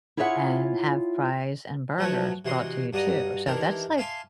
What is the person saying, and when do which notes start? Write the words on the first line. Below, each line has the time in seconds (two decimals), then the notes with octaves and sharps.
and have fries, and burgers brought to you too. So that's, like,
0.17 E4 F4 G#4 C#5 E5 F#5
1.98 F3 F#3 A3 F#4 B4 C#5
2.45 C3 E3 F#4 D#5 C6
2.93 G2 F#4 D5 D#5 A#5 D#6
3.46 D#3 E3 D4 E4 G4 A#4
3.98 E5 F5 G#5 A5 C6 D6